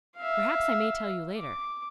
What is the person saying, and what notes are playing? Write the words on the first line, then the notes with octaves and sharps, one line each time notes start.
Perhaps I may tell you later.
E5 F5
D6